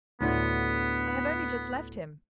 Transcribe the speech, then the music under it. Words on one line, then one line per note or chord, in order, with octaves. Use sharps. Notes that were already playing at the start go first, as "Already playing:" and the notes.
"I have only just left him."
D2 A2 D3 B3